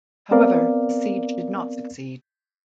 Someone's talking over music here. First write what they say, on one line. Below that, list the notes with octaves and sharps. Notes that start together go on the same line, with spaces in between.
However the siege did not succeed.
B3 C4 A#4 D5 F5